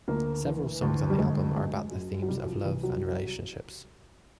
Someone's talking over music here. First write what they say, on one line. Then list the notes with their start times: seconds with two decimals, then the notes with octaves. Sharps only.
Several songs on the album are about the themes of love and relationships.
0.08 D2 A#3
0.45 E3
0.82 D2
1.10 G3
1.18 D2 G#3
1.54 F#2 G#3
1.91 F#2
2.22 F#3
2.28 C2 G3
2.46 F3
2.64 C2 E3
2.83 F#3